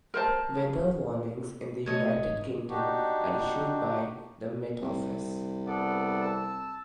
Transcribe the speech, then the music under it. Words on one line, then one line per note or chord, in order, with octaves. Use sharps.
Weather warnings in the United Kingdom are issued by the Met Office.
A#4 C5 A5
C3 A3 C#5 D#5
G#1
D4 D#4 F#4 G4
C2
B3 A4 D5
A5 E6